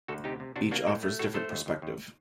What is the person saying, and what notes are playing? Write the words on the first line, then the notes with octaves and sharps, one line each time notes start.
Each offers different perspective.
D2 F#4 A4
C3 D#4 G4
C3
C3 D4 F#4
A#3 D4 F#4
A2 F#4 A4
A3
A2 F#4 A4
A3 A4 C5
D#2
D#2
D#2